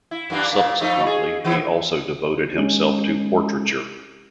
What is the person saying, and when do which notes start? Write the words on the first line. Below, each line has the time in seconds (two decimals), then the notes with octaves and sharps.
Subsequently he also devoted himself to portraiture.
0.11 E4
0.30 F#2 A#3 D4
0.53 A#2 A#3
0.80 F2 A3 D#4
1.06 G#4
1.45 E3 B3 E4
2.58 G#3 C#4